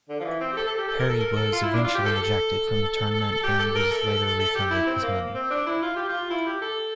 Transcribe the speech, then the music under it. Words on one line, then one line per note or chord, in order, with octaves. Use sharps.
Harry was eventually ejected from the tournament and was later refunded his money.
D3
F3
E3
C4
G4
A4
A4
G4
A4
A#4
A4
A#4
A4
F4
E4
D4
F4
G4
A4
A4
G4
A4
A#4
A4
A4
A4
A4
G4
E4
C4
A#3
C4
D4
E4
F4
G4
F4
E4
G4
A4